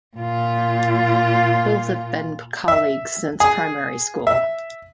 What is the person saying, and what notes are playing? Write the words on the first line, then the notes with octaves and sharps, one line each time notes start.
Both has been colleagues since primary school.
A#2 F4
E5
G#4
E5